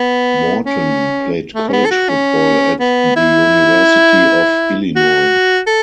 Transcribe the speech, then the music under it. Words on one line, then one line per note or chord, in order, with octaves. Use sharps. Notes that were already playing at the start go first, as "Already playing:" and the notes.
Morton played college football at the University of Illinois.
Already playing: B3
C#4
A3
C#4
B3
A4
F#4
C#4
B3
E4
F#4
A4